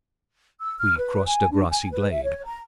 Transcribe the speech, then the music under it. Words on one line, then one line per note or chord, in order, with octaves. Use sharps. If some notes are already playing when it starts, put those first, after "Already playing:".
We crossed a grassy glade.
E6
F6
B4
G#5
D4
G#5
B4
E5
C#5
A#5